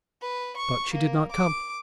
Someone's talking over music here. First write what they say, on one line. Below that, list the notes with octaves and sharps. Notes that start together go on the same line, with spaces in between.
But she did not come.
B4
C#6
A#3
D6